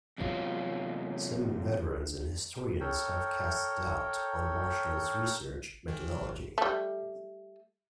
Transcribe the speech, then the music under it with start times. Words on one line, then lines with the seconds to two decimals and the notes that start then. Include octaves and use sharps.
Some veterans and historians have cast doubt on Marshall's research methodology.
0.18 E2 C3 F#3 F4
2.80 A4 A#4 C#5 G5
5.88 D#3 E3
6.58 G3 A3